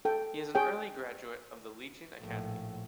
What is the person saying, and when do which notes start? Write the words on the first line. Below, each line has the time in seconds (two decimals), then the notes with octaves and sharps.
He is an early graduate of the Legion Academy.
0.05 A4 G5
0.55 G#4 C#5 G5
2.20 A#1 A2